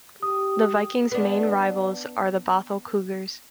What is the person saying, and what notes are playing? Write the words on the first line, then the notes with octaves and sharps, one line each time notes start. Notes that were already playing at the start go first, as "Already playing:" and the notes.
The Vikings' main rivals are the Bothell Cougars.
G4 D#6
B3 D4